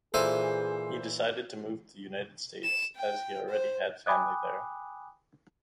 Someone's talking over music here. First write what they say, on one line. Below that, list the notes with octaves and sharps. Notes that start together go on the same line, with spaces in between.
He decided to move to the United States as he already had family there.
A#2 E3 G#4 A4 C5 E5 G#5
E7
G5
C5
G5 G#5 B5 D6 D#6 F#6